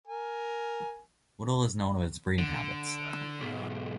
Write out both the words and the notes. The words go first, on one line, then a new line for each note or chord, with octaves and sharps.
Little is known of its breeding habits.
A#4 G#5
D3
B1 G#2